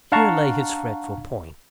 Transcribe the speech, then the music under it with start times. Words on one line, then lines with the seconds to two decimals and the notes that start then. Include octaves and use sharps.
Here lay his fretful point.
0.12 D4 F5 F#5 A5 A#5 C#6